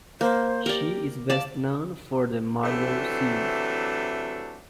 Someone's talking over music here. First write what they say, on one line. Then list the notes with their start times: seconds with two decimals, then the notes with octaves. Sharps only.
She is best known for the Marlow series.
0.21 A#3 C5
0.66 G4 A#4 D5
1.30 D5 F5 A5
2.63 C3 E3 F#3 A3 D4